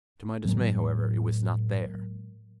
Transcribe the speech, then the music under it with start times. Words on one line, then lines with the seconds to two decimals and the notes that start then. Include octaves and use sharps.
To my dismay, however, it was not there.
0.45 A2 F#3 G#3 A#3